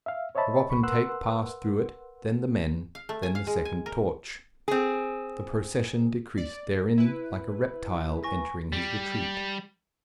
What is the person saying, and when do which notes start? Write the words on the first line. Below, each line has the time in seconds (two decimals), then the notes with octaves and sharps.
The wapentake passed through it, then the men, then the second torch. The procession decreased therein, like a reptile entering his retreat.
0.06 E5 F5
0.35 C5 C#5 D#5 E5 A5 B5
0.70 C2 B5 C#6
0.83 A#4 B4 F#5 C6 E6 F#6
2.95 F5
3.09 A3
3.23 G#5
3.35 F5
3.47 G#3
3.65 G#5
3.86 A#4
4.68 C4 G#4
6.38 D5
6.98 E4 B4
8.24 G#5 C#6 A#6
8.73 G3